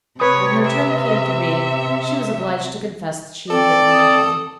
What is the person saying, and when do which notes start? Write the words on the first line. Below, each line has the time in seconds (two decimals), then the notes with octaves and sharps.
When her turn came to read she was obliged to confess she had written nothing.
0.20 C3 B4 C#5 D#6
0.65 E5
3.50 C4 A4 D5
3.93 D#6